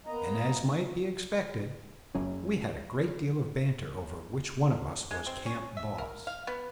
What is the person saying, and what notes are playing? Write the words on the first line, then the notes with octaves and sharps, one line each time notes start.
And as might be expected, we had a great deal of banter over which one of us was Camp Boss.
A#3 B3 D#5 A#5
F#1 F#3 C#4
G#3
C4
C#4
E5
A#4
F5
B3